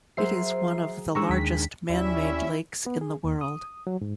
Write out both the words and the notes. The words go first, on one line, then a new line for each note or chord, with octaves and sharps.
It is one of the largest man-made lakes in the world.
F#3 G#4 A#4 C5 E5 C7
D#3 G#3 D4 A#5 C#6 E6
D#2 B6
D#2 G3 C#4 E4 E5
B3
G#4
D#2
D#6
F#3
G#2